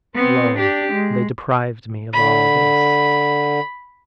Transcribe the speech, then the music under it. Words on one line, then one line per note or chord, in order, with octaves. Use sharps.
Lo! they deprived me of all this.
B3 C4
D4 G4
G#3
D3 B5